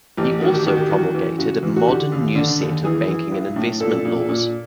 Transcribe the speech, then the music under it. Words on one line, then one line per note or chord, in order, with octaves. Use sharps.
He also promulgated a modern new set of banking and investment laws.
A1 G4
D#3 F#4
G4
D#3 F#4
G4
E2 F#4
E2
C#3 F#4
E2
F#4
D3 G4
D#2
D3
D#2
E3 G#4
E3
B1
A2
A#2 A4
A#2
A#2